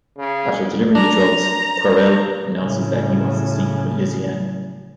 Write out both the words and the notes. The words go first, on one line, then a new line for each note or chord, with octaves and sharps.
After delivering the drugs, Querelle announces that he wants to sleep with Lysiane.
C#3
D4 A#5
A2 C#3